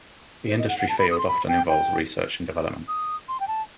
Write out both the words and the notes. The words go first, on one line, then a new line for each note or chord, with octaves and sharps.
The industry field often involves research and development.
C5
D#5
F#5
F#5
A5
B5
D#6
C6
B5
G5
G5
D#6
C6
G5
A5